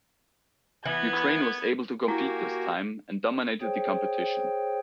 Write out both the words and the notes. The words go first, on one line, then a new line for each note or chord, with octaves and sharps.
Ukraine was able to compete this time, and dominated the competition.
E3 B3 G#6
A#3 E4 F#4 G4 G#5
G#4 C5 C#5 G5